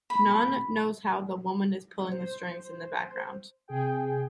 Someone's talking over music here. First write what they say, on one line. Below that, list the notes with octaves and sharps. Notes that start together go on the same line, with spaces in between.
None knows how the woman is pulling the strings in the background.
B5
C5
C3 G#4 G5